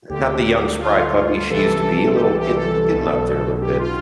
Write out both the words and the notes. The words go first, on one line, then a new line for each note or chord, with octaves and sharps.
not the young spry puppy, she used to be a little getting getting up there a little bit,
D2 D3 G4
F4
C2 C3 E3 A4
G4
A4
G4
A4
B1 B2
G4
F4